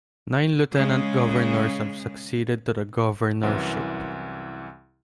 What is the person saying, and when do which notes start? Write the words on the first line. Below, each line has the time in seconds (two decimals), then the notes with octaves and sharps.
Nine lieutenant governors have succeeded to the governorship.
0.72 C#3 G#3
3.43 C2 F#2 E3